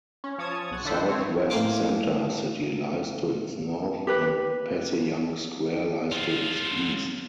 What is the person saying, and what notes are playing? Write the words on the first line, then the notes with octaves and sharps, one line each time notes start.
Southwest Center City lies to its north, and Passyunk Square lies to its east.
C#4
F3 C#5 A5 D#6 G#6
B1 F#5 C#7
D3 F3 A4 B4 C5
C4 C#5
A2 A#3 C5 G#5 D6
G4 B4
F#3 F4